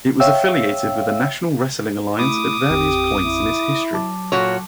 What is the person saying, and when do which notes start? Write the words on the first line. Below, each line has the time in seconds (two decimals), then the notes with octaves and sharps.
It was affiliated with the National Wrestling Alliance at various points in its history.
0.20 C#5 E5 F5 G5 E6
2.19 A3 E4 B5 D6 D#6
2.70 A1 F2 C4 G4
3.23 E4
3.93 F#3 A5 D6
4.32 A#2 F#4 C#5